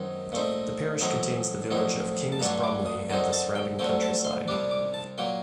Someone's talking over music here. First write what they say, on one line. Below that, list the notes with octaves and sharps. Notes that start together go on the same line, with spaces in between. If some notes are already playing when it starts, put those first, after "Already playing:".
The parish contains the village of Kings Bromley and the surrounding countryside.
Already playing: F#2 D#3 F#3 C4 D#4
A#2 A3 C4 D#4
A1 A2 F#3 C4 D#4 A#5
A#1 A2 F#3 C4 D#4
A5
G2 D3 F#3 A3 D4 A#5
D6
D#6
F#2 D3 F#3 C4 D#4 A#5
A5
G5
D2 D3 F#3 A3 C4 G5
A5
C6
C2 C3 G3 D4 D6
D6
A5
A#2 F#3 A#3 G5